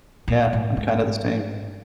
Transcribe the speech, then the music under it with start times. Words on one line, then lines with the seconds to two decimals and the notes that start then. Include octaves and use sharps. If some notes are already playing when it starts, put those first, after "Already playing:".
yeah. I'm kinda the same.
0.28 A#2
0.53 A2
0.77 G#2